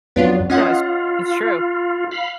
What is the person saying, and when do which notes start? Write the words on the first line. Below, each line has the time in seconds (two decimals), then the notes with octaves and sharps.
No, it's it's true.
0.16 F2 F#3 B3 D4 F4
0.50 C#4 F4 D#5 F#5
2.11 F5 B5